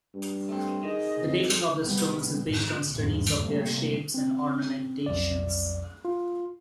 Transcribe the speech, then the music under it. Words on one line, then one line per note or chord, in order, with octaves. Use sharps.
The dating of the stones is based on studies of their shapes and ornamentations.
G2
A3 C4
D#3 G#4 D#5
F2
C3 G3 G#3 B3
G#1
G#1 E2 G2
C3 G3 A3 A#3
C4
B1 F2 D5
F4